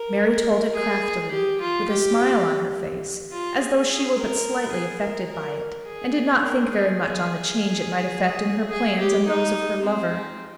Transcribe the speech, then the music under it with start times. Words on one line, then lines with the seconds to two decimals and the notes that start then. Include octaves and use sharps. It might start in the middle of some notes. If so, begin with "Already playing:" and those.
Mary told it craftily, with a smile on her face, as though she were but slightly affected by it, and did not think very much on the change it might effect in her plans and those of her lover.
Already playing: A#4
0.74 G#4
1.31 G4
1.61 F4
1.88 G4
3.31 F4
3.59 G#4
4.16 A#4
4.72 G#4
5.01 A#4
5.30 A#4
5.86 G#4
6.43 A#4
6.72 G#4
7.00 G#4
8.71 G#4
8.99 G4
9.27 D#4
9.83 C4